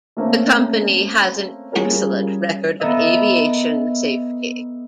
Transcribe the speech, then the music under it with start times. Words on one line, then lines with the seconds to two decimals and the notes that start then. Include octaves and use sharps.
The company has an excellent record of aviation safety.
0.17 A3 A#3 C4 C#4
1.72 G3 C#4 F4 G#4 A#4 C#5
2.80 B3 A4 A#4 D#5 E5